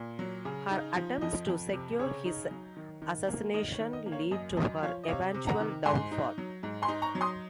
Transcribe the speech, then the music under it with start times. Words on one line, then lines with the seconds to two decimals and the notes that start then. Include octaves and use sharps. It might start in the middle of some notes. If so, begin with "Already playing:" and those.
Her attempts to secure his assassination lead to her eventual downfall.
Already playing: A#2
0.19 F#3
0.45 C#3
0.71 D#4
0.96 F3
1.21 F2 D#5
1.48 F2
1.73 C3
1.99 C#3 C#5
2.25 D#4
2.51 F#3
2.77 D#3
3.02 D#3
3.28 A#3
3.54 D#3 D#5
3.73 C#5
3.80 D#3
3.93 D#5
4.06 A#3
4.12 C#5 F5
4.31 F#2 D#5
4.57 F#2 D#5
4.83 F3 C#5 F5
5.04 D#5
5.08 C3 C#5 F5
5.34 C3
5.47 F#5 A#5
5.61 D#3
5.85 G#2 G#5 C6
6.11 D#4
6.38 F#3
6.63 G#2
6.82 G#5 C6
6.88 D#4
7.02 A#5 C#6
7.15 F#3
7.21 C6 D#6